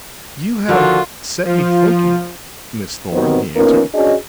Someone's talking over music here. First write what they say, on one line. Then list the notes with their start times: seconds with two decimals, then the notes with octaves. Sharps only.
"You have set me thinking, Miss Thorn," he answered.
0.69 D3 D#3 F3 F4 F#4
1.44 F3 F4
3.12 G2 D#3 F#3 B3 C4
3.56 A#3 B3 C#4 D#4 F4 A#4
3.94 C#4 D4 F#4 G#4 D#5